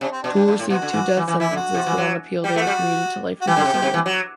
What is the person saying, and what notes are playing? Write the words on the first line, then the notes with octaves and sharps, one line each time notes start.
Toole received two death sentences, but on appeal they were commuted to life imprisonment.
C3 D4
C4
B2 D4
G2
G2
A2
B2 F#4
D3
E3
E3
E3
E3 E4
D3
F#4
C3
E3
F#3
G3 G4
A3 E4
F#4
G3
F#4
E3 G4
D3
C3
B2
C3
E3
F#3